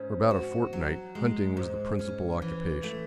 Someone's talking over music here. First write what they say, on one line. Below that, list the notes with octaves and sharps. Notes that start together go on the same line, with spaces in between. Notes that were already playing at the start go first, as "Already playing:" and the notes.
For about a fortnight hunting was the principal occupation.
Already playing: G#2 C#4
F#4
F#3
G#3
G#2
C#4
E3
A3